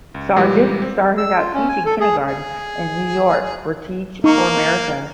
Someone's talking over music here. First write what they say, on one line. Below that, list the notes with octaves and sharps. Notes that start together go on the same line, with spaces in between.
Sargent started out teaching kindergarten in New York for Teach for America.
C#2
A#2 E3 G3 G#3 G4
C4
E6
F4
C#4
G#5
A4
G#4
G#4
A#3 D#4 C#6